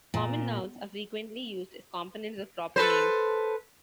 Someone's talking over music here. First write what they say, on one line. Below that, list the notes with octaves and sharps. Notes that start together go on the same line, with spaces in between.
Common nouns are frequently used as components of proper names.
A#2
A4 B4 C5